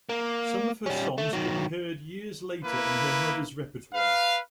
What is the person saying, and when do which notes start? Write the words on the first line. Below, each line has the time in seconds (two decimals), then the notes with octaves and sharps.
Some of her songs could be heard years later in her mother's repertoire.
0.09 A#3
0.86 G3 C#4
1.18 A3
1.33 D#3 F#3
2.64 A#3 E4 B4
3.94 B4 F5